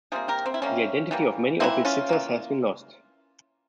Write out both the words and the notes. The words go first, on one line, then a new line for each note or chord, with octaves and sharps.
The identity of many of his sitters has been lost.
C3 G3 A#3 F4 G#4
G4 A#4
C4
E4
C3 G3 A#3 C#4
E3 G3 A#3
E3 G3 A#3 C4 E4
C#4 F4
E3 A#3